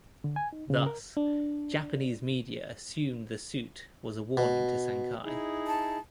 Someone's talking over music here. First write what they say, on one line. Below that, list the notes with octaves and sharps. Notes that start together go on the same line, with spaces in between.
Thus, Japanese media assumed the suit was a warning to Sankei.
D3
G#5
D#4
C#3
A#4
D4
B2
D#4 E4 G#4
A5